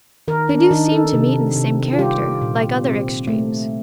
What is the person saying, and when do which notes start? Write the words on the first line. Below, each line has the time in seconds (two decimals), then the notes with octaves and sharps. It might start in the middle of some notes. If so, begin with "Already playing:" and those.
They do seem to meet in the same character, like other extremes.
0.28 D#3 A#4
0.49 D4
0.71 D#3 D#4
0.92 A4
1.13 C3
1.56 C3
1.93 F4
1.99 G3 G4
2.42 A#2
2.84 C4
3.27 A3